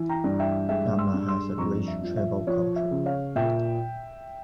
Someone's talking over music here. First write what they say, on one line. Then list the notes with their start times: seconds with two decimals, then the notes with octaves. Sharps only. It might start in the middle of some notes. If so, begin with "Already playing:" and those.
Gumla has a rich tribal culture.
Already playing: E3
0.09 G5 A#5
0.24 G2
0.39 E5 G5
0.69 G#3 E5 G5
0.98 C6 E6
1.14 G2
1.28 C6 E6
1.58 F2 A#5 C#6
1.88 E5
2.02 F3
2.17 E5
2.47 F3 C#5
2.76 E5
2.91 C#3
3.06 C#5 F5
3.35 A#2 E5 G5